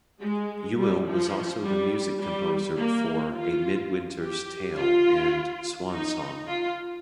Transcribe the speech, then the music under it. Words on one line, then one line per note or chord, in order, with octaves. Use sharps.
Yuill was also the music composer for "A Midwinter's Tale" and "Swan Song".
G#3
G3
F3
G3
G3
A#3
F4
G4
F4
D#4
F4